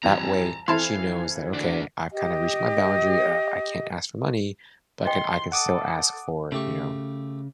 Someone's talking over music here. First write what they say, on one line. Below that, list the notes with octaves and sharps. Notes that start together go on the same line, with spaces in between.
That way she knows that, "Okay, I've kinda reached my boundary of 'I can't ask for money,' but can I can still ask for, you know,
F2 E3 G3 A5 A#5
E3 C4 E4 A4 F5 A5 C6
D4 F#4
G4 D#5
D#5 G5 C6
A4 F#5 D6 D#6
C#3 A3 G4 C#6